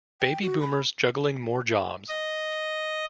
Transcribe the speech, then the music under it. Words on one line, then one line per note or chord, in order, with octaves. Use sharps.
"Baby boomers juggling more jobs".
G5
F#4
B5
D#5